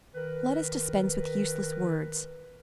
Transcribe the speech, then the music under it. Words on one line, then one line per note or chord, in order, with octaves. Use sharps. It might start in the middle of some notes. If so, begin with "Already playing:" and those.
Let us dispense with useless words.
D#3 A#4 B4